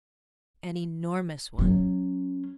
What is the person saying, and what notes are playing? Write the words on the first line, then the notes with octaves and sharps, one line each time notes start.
"An enormous one."
F#3 C#4